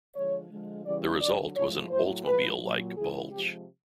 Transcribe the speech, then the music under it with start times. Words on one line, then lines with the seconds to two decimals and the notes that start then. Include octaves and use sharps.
The result was an Oldsmobile-like "bulge".
0.14 D3 F3 G#3 C#5
0.49 D3 F3 G#3
0.84 C#3 E3 G3 D5
1.20 D3 F#3 D5
1.55 A2 F3 G#3 C#5
1.91 A2 F#3 C5
2.25 A2 F3 G#3 B4
2.61 A#2 F#3
2.96 C#3 E3 G#3 G#4
3.30 C3 F3 G#3 G4